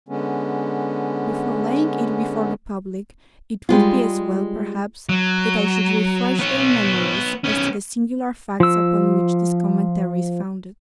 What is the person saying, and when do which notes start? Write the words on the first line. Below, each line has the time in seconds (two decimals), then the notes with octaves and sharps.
Before laying it before the public it would be as well, perhaps, that I should refresh their memories as to the singular facts upon which this commentary is founded.
0.09 D3 G#3 B3 C#4
3.69 G3 G#3 F4
5.09 F#3
6.39 B3 C#5
7.44 B3 C#4
8.60 F3 E6